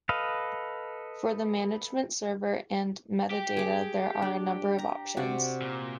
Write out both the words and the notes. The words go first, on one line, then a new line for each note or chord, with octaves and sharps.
For the management server and metadata there are a number of options.
A4 B4 D#5 F5
G4
G#4 D6
D4
A#5
C3 F#4 D5
A#2